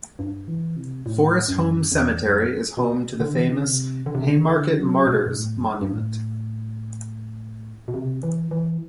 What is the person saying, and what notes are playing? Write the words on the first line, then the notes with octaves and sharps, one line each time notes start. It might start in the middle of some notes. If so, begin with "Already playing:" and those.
Forest Home Cemetery is home to the famous "Haymarket Martyrs' Monument".
G2
E3
C3
A2
F#2
E2
F#2
B2
D3
E3
D3
C3
D3
C3
D3
D3
F#3
B2
G2
A2
F#2
G2
G2
A2
B2
C3
E3
E3